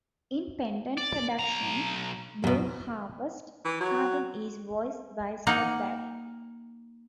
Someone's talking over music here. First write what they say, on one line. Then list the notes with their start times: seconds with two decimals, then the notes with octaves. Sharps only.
In Pendant Productions' "Blue Harvest", Katarn is voiced by Scott Barry.
0.97 D5
1.39 B1 A#5
2.44 F#2 B2
3.65 E3
3.80 F#3
5.47 A#3 D#4 F#5